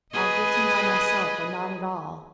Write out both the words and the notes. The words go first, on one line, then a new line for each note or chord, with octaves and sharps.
I'll get him by myself or not at all.
G#4 B4 D#5